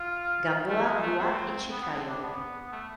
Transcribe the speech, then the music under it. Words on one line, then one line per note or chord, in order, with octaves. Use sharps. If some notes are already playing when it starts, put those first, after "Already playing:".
Gamboa grew up in Chiclayo.
Already playing: F4
A3
G#3
A3
C4
B3
B3
C4
D4
B3
A3